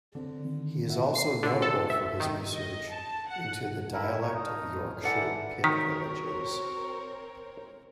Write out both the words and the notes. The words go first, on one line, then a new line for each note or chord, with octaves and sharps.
He is also notable for his research into the dialect of Yorkshire pit villages.
D3 C4
D#3
E5 F#5
C7
D3
A4
E5
D#3
D#5
A5
F#5
E4 A4 A#4
C#5
D#4
E3 A4 D5 F#5
D#3 C4 F#4 A#4 C#5 B6